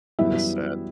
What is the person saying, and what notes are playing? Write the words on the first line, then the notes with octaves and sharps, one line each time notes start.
That is sad.
F#2 E3 G3 B3 E4 E5